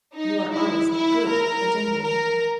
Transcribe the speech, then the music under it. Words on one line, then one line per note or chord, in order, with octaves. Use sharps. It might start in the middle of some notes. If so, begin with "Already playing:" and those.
You are honest, good, a gentleman.
D#4
E4
E4
A#4
A#4